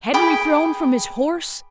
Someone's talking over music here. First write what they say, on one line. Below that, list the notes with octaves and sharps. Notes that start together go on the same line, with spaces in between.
Henry thrown from his horse?
G#4 G5 B5 D6